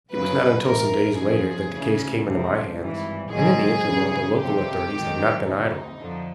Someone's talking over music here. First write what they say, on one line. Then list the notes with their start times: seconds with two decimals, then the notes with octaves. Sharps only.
It was not until some days later that the case came into my hands, and in the interval the local authorities had not been idle.
0.11 F#2 C#3 F#3 B4
0.65 A1 G#2 E3 A#4
1.18 F2 C#3 F3 G#4
1.71 D2 C#3 E3
2.25 C#2 C3 F3
2.78 G#1 G2 E3
3.31 A#1 G#2 D#3 F#3 G#4
3.85 E2 C#3 F#3
4.37 G1 F2 C3 F3 G4
4.91 G#1 G#2 D#3 F#3
5.44 D2 C3 E3 D#4
5.97 F2 D3 F3